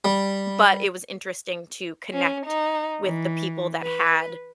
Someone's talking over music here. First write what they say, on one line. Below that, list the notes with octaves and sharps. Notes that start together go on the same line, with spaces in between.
but it was interesting to connect with the people that had,
G3
C#4
D#4
E3
B4